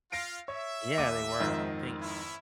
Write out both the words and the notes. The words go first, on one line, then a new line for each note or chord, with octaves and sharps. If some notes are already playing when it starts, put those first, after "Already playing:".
Yeah, they were, and I think
F4 F5 A#6 C7 D7
C#5 E5
D#2 D6 D#7
F2 G#2 D#3
B3 C#4 E4